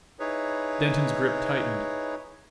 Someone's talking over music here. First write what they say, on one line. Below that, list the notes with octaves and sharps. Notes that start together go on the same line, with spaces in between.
Denton's grip tightened.
D#4 E4 G#4 B4 C#5